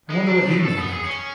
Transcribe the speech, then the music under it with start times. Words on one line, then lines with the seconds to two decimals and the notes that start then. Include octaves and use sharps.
I wonder what he made of it?
0.10 G#3
0.28 D4
0.47 A2
0.65 A4
0.78 B3
0.93 G#4
1.05 C#4